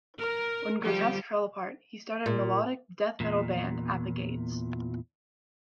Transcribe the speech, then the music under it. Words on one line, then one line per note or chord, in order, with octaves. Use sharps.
When Grotesque fell apart he started melodic death metal band At the Gates.
A#4
D3 F3 G3 G4
A#2
E2 A#2